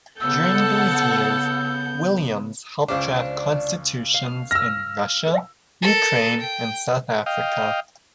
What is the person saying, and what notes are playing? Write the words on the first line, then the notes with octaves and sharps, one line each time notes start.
During these years, Williams helped draft constitutions in Russia, Ukraine, and South Africa.
C#3 B3 A4 F#5 E6 G6
C#2 C#3 D4 C5 D6
F5
E6 F6 A#6
A4 A#4
G5
D#5 F5 G5